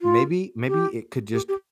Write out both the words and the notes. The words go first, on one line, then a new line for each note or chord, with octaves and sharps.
maybe maybe it could just
F4
G4
G4
G4